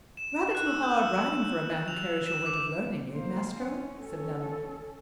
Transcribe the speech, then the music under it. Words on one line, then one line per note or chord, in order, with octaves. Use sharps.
"Rather too hard riding for a man who carries your weight of learning: eh, Maestro?" said Nello.
E7
F#6
E6
G6
E6
F7
E7
D6
A#3 C5
C#4
C#4 A4